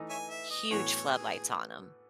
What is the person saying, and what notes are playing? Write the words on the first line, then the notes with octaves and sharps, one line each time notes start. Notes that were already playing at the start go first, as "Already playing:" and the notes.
huge floodlights on 'em.
Already playing: E3 A3 D#4
C#5 E5 G#5
E5
D#5
A2 E3 B3 F#4 A4 C#5
G#4